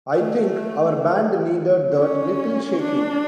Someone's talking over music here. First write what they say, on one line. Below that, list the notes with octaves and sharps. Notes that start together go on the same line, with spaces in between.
I think our band needed that little shaking.
A3
C#4
D4